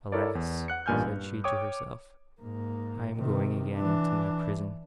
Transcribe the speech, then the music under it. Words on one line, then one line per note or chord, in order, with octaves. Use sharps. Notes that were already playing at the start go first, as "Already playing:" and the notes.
'Alas!' said she to herself, 'I am going again into my prison!'
E4 A4 A#4 C#5 D5
E2
F#5 F#6 C#7
A1 G2 A#2 G#5 F6 G6
G2
C#5 G5 D6 D#6
G#2 A#3
C3 D#3
E3 D4